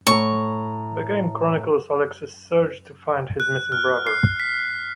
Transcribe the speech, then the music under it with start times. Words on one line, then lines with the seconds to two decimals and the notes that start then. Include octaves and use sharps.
The game chronicles Alex's search to find his missing brother.
0.07 A2 A#5 C#6
3.40 F#6
3.72 F6
4.07 C7
4.40 B6